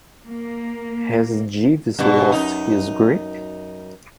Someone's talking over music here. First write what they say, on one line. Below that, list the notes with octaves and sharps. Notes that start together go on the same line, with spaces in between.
Has Jeeves lost his grip?
A#3
G2 B2
F#2 D#4